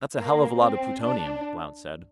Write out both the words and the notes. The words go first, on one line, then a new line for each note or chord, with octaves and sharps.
"That's a hell of a lot of plutonium," Blount said.
A#3
C4
D4